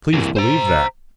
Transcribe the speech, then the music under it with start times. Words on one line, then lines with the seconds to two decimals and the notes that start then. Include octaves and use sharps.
"Please believe that."
0.14 E3 A#3
0.37 C5 A#5